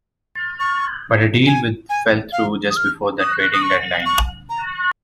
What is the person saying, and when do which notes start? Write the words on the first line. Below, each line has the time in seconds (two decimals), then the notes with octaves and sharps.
But a deal with fell through just before the trading deadline.
0.60 C#6
1.47 G#5
1.89 G#5
2.32 F5
2.70 D#6
2.77 F6
3.20 D#6
3.54 D#6
3.62 C#6
4.06 C#6
4.49 A#5